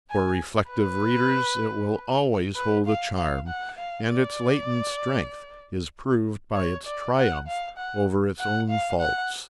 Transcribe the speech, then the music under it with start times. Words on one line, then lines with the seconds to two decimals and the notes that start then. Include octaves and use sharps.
For reflective readers it will always hold a charm, and its latent strength is proved by its triumph over its own faults.
0.10 G#5
0.71 B4
2.56 B4
2.86 F5
3.17 F5
3.48 F#5
3.78 F5
4.09 D5
6.55 C#5
6.86 D5
7.17 F#5
7.47 F5
7.78 F#5
8.39 F#5
8.70 F5
9.00 F#5